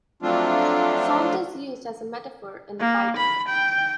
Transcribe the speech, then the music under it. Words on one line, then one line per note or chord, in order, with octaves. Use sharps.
Salt is used as a metaphor in the Bible.
F3 F#3 A3 C4 D4 F4
A#3
B5
G5